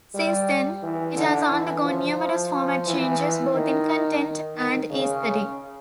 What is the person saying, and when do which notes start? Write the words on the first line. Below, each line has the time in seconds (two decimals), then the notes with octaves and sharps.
Since then, it has undergone numerous format changes, both in content and aesthetic.
0.14 G3
0.83 E3
1.16 D3
1.50 E3
1.84 F3
2.19 F3
2.52 F3
2.86 E3
3.53 D#3
4.55 D#3
4.90 C#3